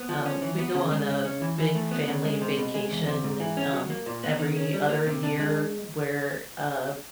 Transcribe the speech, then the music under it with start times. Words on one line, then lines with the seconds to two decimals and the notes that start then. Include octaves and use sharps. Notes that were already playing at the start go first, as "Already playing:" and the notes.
um we go on a big family vacation, um, every other year where, uh,
Already playing: B3
0.09 F3
0.26 C#4
0.42 E3
0.58 B3
0.74 C#3
0.91 G#3
1.08 C#3
1.25 C#4
1.42 E3
1.58 E3
1.75 A3
1.91 B3
2.08 C#3
2.25 G#3
2.41 C3
2.57 B2
2.74 G#3
2.90 E2
3.07 C3
3.24 G#2
3.40 E3
3.57 C#4
3.73 F#3
3.90 A#3
4.06 A#2
4.24 B3
4.39 D#3
4.56 C#4
4.73 G3
4.89 A#3
5.07 C3
5.23 D4
5.39 G#3